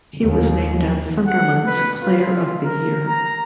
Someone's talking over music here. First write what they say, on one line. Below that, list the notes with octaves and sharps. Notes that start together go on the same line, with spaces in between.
He was named as Sunderland's Player of the Year.
D#2
F#5
B4
F4
A#4
A#5